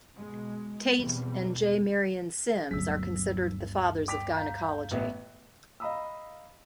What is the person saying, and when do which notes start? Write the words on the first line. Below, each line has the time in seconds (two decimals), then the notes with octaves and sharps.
Tait and J. Marion Sims are considered the fathers of gynecology.
0.16 B2 G#3
0.98 E2 B2 E3 G3 G#3 C4
2.71 G1 D2 C3 F#3 E6 B6
4.08 G5 D6 B6 F7
4.36 F5 A#5 G6
4.91 A1 B3 E5
5.80 D#5 F5 A#5 B5 D#6 E6